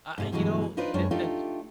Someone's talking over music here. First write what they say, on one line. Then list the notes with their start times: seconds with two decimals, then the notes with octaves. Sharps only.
I I you know, i ye that ch
0.18 G#2 C3 A3
0.32 G2 B2 D3 E3 F#3 G#3
0.77 D4 D#4 F4 B4 C5 D5
0.94 F#2 G#3 C4 D4 C#5
1.11 A3 D4 D#4 F4 G4